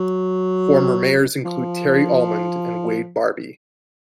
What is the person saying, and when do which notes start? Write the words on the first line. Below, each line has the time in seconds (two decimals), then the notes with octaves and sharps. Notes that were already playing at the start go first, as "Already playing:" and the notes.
Former mayors include Terry Almond and Wade Barbee.
Already playing: F#3
1.45 F3